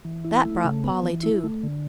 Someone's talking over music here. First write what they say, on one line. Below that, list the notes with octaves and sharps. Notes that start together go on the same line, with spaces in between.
That brought Polly to.
E3
E4
A3
C#3
B3
E3
E4
A3
D3